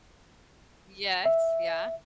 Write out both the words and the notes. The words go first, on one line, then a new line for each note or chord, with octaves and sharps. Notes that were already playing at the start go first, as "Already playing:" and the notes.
Yes, yeah.
E5